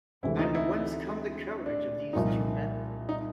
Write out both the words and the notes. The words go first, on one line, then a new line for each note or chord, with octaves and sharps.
And whence come the courage of these two men?
D2 C3 E3 G#3 C4 E4
D#4
E4
D4
C2 A#2 F3 D#4
D#4